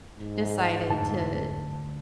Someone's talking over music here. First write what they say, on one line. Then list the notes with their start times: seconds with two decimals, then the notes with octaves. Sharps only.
decided to
0.18 G#2
0.90 F2 D3 A3 A5